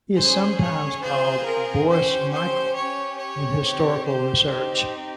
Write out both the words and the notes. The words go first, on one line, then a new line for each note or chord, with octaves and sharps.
He is sometimes called Boris-Michael in historical research.
C#4 G#4 C5
C#5
C4 F4 G#4 C5
A#4
C#4 G4 C5
C5
C#4 G4 C#5
C#5
C4 G4
C5
C4 D#4 G4